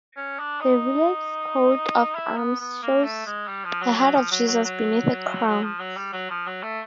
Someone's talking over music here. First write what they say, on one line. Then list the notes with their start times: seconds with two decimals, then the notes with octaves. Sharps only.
The village's coat of arms shows a heart of Jesus beneath a crown.
0.17 C#4
0.39 D4
0.60 D#4
2.15 E4
2.37 B3
2.60 B3
2.82 A#3
3.04 A3
3.26 G#3
3.47 G3
3.65 F3
3.81 F#3
3.98 F#3
4.14 F3
4.31 F#3
4.47 F#3
4.65 F#3
5.47 F#3
5.63 F3
5.80 F#3
5.96 G3
6.13 F#3
6.30 F3
6.46 F#3
6.62 A3